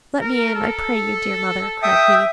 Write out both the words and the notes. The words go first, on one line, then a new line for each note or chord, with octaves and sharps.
'Let me in, I pray you, dear mother,' cried he.
A#4
A4
E5 G5 D#6